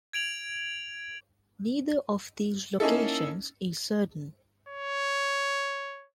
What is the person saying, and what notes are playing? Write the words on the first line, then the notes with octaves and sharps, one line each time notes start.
Neither of these locations is certain.
G#6 D7 F7 F#7
A#3 C#4 D#4 E4 A4
C#5